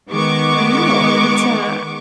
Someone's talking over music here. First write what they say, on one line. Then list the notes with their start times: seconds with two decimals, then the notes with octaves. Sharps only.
I know, it's uh,
0.12 D#3 G#3 B3 C#6 D6